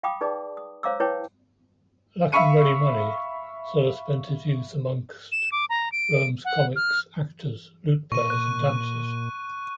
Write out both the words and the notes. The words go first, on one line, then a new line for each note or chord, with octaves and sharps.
Lacking ready money, Sulla spent his youth amongst Rome's comics, actors, lute-players, and dancers.
F5 G5 B5 D6 D#6
D#4 G#4 B4 D5 A5 D6
D#6
C5 C#5 F5 A#5 D6 E6
E4 B4 C#5 G5 A5 D6
E5 F5 B5 C#6 C#7 D#7
E7
D6
A#5
D7
F#5
F6
A#2 C#6 D#7
F#6